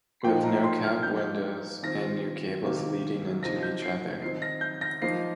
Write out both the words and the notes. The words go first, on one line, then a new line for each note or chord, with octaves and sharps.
With no cab windows and new cables leading into each other.
A#2 F3 D#4 G5
A#5
C6
F6
F3 A#3 D#4 G6
D#3 C4 F4 A#6
C3 D#3 A#3
C3 F3 D#4 A#6
G6
C7
D#3 C4 D#4 C7
A#6
G6
A#6
F3 A#3 D#4 C7